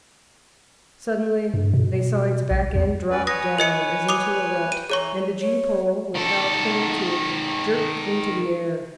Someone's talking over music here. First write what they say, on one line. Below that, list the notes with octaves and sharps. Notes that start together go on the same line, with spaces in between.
Suddenly, they saw its back end drop down, as into a rut, and the gee-pole, with Hal clinging to it, jerk into the air.
G2
B2
A#1
E2
C#4 B4 D5
B4 C#5 G#5 D#6 A#6
A#4 D#5 C#7
D6 D#6 F7
G5 D#7
E3 G#4 C#5 A#5 C#6
C#5
D#3 A4